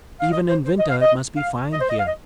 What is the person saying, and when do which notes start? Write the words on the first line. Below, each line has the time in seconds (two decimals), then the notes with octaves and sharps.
"Even in winter it must be fine here."
0.20 F5
0.31 D#5
0.48 C5
0.66 C5
0.78 D#5
0.89 F5
1.01 D#5
1.37 F5
1.72 D#5
1.80 C5
1.89 D#5
1.98 F5
2.07 D#5